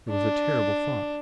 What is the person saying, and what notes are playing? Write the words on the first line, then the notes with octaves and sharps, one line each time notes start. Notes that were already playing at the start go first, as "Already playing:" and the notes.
It was a terrible thought.
D4